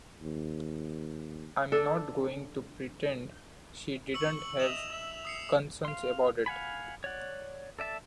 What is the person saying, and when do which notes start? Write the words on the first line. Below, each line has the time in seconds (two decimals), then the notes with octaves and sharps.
I'm not going to pretend she didn't have concerns about it.
0.21 D#2
1.72 D4 A4
4.14 C#6 E6 F#7
4.60 D#5 E5 E7 F7
4.90 E5
5.25 D#6 C7 C#7
5.85 F5 C6
6.46 F5 F#5 G#5 B5
7.04 C#5 D5 F#5
7.79 A4 D5 E5 A5